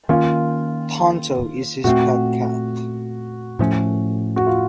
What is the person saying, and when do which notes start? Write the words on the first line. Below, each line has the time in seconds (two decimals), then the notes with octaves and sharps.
Tonto is his pet cat.
0.09 D#3 A#3 C#4 F4
1.84 A#2 A3 C4 F#4
3.59 A2 F3 A3 C#4
4.36 F#4
4.47 F4